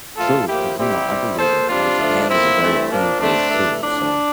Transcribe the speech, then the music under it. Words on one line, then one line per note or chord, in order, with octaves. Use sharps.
True. 'Cause, you know, I believe it. Like, Japan is a very clean place, too, so,
A#2 F3 A3 F4 A4
A2 F3 A#3 E4 G4
C3 G3 C4 E4 G4
C3 G3 C4
A#2 F3 A#3 A4 C5
C3 G3 C4 D4 F4
D3 F3 A3
A2 F3 A#3 C4 E4
G2 E3 A3 C4
A#2 F3 A#3 D4
D3 A3 C4 D4
G2 E3 A3
A2 F3 C4 D4